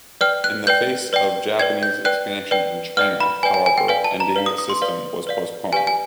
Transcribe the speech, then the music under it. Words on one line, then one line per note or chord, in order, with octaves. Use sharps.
In the face of Japanese expansion in China, however, ending the system was postponed.
B4 D5 G5 F6
F#6
B4 D5 G5 G6
B4 D5 G5
B4 D5 G5 G#6
G6
B4 D5 G5 F#6
B4 D5 G5
B4 D5 G5 F6
B5
B4 D5 G5 G#5
G#5
G#5
G5
B4 D5 F5 G#5
A5
A#5
B4 D5 F5
D#6
D#6
C6
B4 D5 F5
B4 D5 F5
G4 B4 D5 F5 G#5
G#5